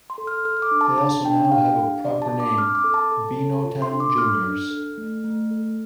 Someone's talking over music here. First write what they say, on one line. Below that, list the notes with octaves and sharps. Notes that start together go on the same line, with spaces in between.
They also now have a proper name - 'Beanotown Juniors'.
C6
A4
F6
A4 F6
D6
D4
A5
D4 A5
D4 G5
G5
G4 F5
D4
G4 D5
A5
D4
D6
C4 F6
D6
A4
A5
A4
A4
F4
C6
D4
D6
A4 F6
D4
A4
A3
A3
A4